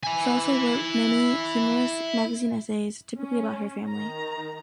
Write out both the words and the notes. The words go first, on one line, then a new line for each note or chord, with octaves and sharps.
She also wrote many humorous magazine essays, typically about her family.
E4 G#5
C#4
D#3 A#5